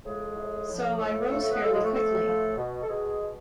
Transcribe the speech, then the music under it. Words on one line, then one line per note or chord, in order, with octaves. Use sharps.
So I rose fairly quickly.
A2 F3 G#3 G#4
A2 F3
A2 F3
A2 F3 A3 A4
A2 F3 A3 A4
A3 A4
B3 B4
A2 F3 A3 A4
G#3 G#4
A3 A4
A2 F3 A3 A4
A2 F3
B2
A4
B2 G#3 G#4
B2